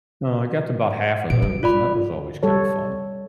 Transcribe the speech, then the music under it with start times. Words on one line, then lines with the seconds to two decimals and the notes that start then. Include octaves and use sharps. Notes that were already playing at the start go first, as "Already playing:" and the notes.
Uh, I got to 'bout half of those, and that was always kinda fun.
1.30 A#2 D7
1.42 G3
1.63 F4 D5 B5
2.43 G3 A4 C#5